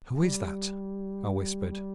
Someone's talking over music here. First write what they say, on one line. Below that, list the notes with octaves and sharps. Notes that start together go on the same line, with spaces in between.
'Who is that?' I whispered.
G3
G3